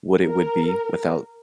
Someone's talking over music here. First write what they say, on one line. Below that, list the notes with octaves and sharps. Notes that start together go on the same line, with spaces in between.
what it would be, without,
A#4